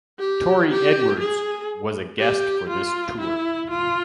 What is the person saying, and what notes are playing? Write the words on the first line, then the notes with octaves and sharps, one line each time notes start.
Tory Edwards was a guest for this tour.
G4
G4
G#4
G4
F4
E4
F4